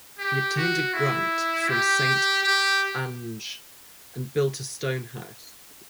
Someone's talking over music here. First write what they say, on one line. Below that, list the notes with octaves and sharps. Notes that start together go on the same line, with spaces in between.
He obtained a grant from Saint Ange and built a stone house.
G4
F#4
E4
G4
G4